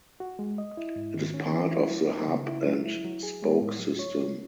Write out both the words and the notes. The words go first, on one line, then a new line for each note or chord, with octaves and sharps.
It is part of the hub-and-spoke system.
F#4
G#3
D#5
E4
G#2
D#3
C#4
E3
E4
F#3
D#4
C#3
E4
F#3
E4
F#3
G#4
G#3
A2
F#3
C#5
C#4